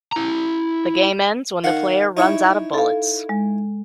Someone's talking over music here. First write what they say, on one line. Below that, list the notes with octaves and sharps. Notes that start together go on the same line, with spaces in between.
The game ends when the player runs out of bullets.
E4 A#5
D#3 F5 F#5
D#4 E4 C#5
A4 F5
G#3